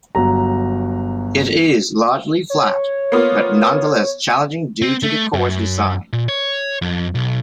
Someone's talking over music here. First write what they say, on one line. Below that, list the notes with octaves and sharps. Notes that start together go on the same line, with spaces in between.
It is largely flat but nonetheless challenging due to the course design.
G1 F#3 A#5
C#5
A#3 B3 F4
C4
A3
F#2
A#2
C#5
F2
B1